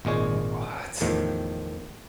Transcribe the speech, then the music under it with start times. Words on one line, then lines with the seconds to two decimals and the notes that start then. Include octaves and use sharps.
Oh, what?
0.05 G#1 A#2 G#3 C#5
1.01 E2 A2 D#3 F3